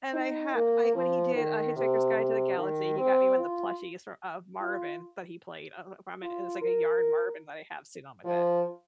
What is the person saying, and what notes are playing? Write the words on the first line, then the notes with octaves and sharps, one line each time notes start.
And I ha I when he did, uh, Hitchhiker's Guide to the Galaxy, he got me one of the plushies fro of Marvin that he played. I don't know if I m it's, like, a yarn Marvin that I have sitting on my bed.
D#4
A#3
F3
D#3
C3
C3
D#3
C4
F4
F4
F4
A#4
F3